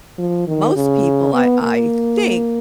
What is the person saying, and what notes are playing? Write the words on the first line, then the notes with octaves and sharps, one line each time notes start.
most people I I think
F3
D#3
C#3
B3
A#3